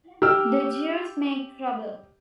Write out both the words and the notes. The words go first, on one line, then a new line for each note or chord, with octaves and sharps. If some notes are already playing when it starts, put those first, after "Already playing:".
The Jews make trouble.
G4 E6 F6